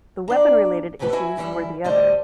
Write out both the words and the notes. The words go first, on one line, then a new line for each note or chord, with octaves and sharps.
The weapon-related issues were the other.
A#3 D4 D5
D2 G#2 A3 G4 B4 F#5
E4 F#4 E5 G#5
F#2 E3 G3 E4
D2 A2 G3 C5 D5 D#5